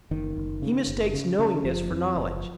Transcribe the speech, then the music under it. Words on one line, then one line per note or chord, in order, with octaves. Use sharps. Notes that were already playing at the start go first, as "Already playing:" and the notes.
He mistakes knowingness for knowledge.
F#1 D#3
F#1
C#3
F#1
C#3
C#3
F#1 F3
F2
F#1